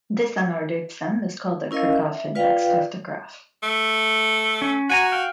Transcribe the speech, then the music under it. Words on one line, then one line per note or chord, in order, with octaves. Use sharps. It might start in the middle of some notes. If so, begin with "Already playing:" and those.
This unordered sum is called the Kirchhoff index of the graph.
C#4 E4 A#4 D#5 F5
E5
F4 B4 D5 F5 G5
A3
C#4
F#4 F#5 G#5 A#5
F5 G5